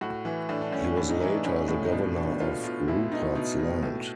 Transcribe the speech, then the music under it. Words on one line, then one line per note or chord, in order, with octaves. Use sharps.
He was later the Governor of Rupert's Land.
A2 F#4
E3
A2 D4
D4
A2 C#4
C#4
A2 D4
D#4
E3 D#4
D4
A2 C#4
A2
D#4
B2 D4
B2 D4
B2 F4
B2 F4
B2 E4
B2 D#4
B2 D#4
B2
A2